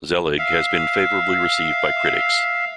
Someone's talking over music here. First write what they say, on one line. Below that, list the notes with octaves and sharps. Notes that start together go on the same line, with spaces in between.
"Zelig" has been favorably received by critics.
E5 F5